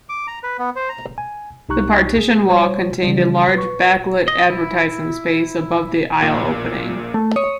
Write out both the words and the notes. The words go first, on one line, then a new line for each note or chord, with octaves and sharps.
The partition wall contained a large backlit advertising space above the aisle opening.
D6
A#5
B4
B3
C5
A#5
G#5
C2 D#4 G4 A#5 C#6 F#6
G#4
G3 C5 C#5
C#3 E3 F3 G3
B4 C#6
D#5
E4
A#1 A#2
A3
C#5 D#6